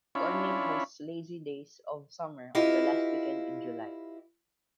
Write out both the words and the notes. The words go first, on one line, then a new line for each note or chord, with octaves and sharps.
Corning hosts Lazy Days of Summer on the last weekend in July.
C#4 D4 E4 F4 C#5 B5
E4 F4 G4 B4 D#5 F5